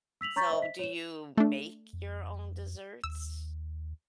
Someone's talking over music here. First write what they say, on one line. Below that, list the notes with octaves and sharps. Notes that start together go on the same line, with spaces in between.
So, do you make your own desserts?
E6 B6 F7 F#7
C#5 A#5 C#6 G6 A6 B6
C5 D#5 E5
B6
C#5 E7
A3 D4
F2
D#2 E6